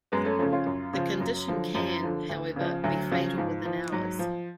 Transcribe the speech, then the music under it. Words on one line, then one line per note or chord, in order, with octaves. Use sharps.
The condition can, however, be fatal within hours.
F#2 G#3 B3
A3 C#4
C#3 F3 A3 C#4
C#4 F4
F#2
C#3 F3
F#2 F#3
D3 F3
F#2 F3
D3 F3
D2
C#3 F3
D2 F#3
C#3 F3
G#2 F3
F3
G#2 F#3
F3